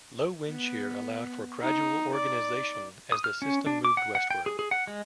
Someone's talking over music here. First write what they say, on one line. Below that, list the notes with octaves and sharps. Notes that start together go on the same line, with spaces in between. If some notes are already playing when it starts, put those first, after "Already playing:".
Low wind shear allowed for gradual organization as the system moved westward.
B3
D#4
D5
D#6
F6
C#4
D4
D6
F#5
F#5
G5
G#4
G#4
F#5
G#3